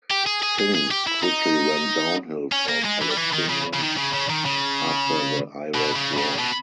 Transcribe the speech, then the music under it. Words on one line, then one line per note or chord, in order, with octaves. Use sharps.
Things quickly went downhill for Palestinians after the Iraq War.
G4
G#4
G#4
G#4
G#4
G4
E4
D#4
C#4
A#3
G#3
E3
G3
E3
D#3
C#3
C#3
D#3
C#3
C#3
D#3
C#3
B2
C#3
C#3
B2